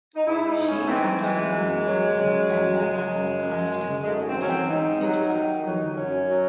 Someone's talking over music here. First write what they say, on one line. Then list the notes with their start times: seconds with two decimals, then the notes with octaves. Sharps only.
She and her younger sister Edna Annie Crichton attended Sidcot School.
0.15 D#4
0.27 G#2 E4
0.47 D#4
0.59 G#2
0.69 C#4
0.84 A3
0.90 E3 C4
1.21 E3 G#3
1.53 F#2
1.85 F#3
2.16 F#3
2.49 F#2
2.80 C#3 G#3
3.12 F#2
3.44 F#2
3.75 F#2
4.03 G#3
4.07 G#2 A3
4.28 C4
4.38 F#3 C#4
4.49 C4
4.70 G#2 D#4
5.02 F#3
5.34 D#3
5.65 F#3
5.97 F#2 C#4
6.28 F#3